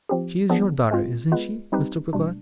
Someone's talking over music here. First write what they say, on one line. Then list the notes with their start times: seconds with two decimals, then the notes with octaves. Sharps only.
'She is your daughter, isn't she, Mr. Peggotty?'
0.09 F3 C4 G4
0.50 F3 B3 D4 G#4
0.91 G#3 C4 F4
1.32 G#3 B3 F4 B4
1.72 G3 C4 D#4 G4 B4
2.13 B2 G3 D4